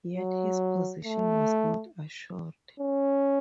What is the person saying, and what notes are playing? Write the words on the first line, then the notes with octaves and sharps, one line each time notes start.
Yet his position was not assured.
F#3
A3
C#4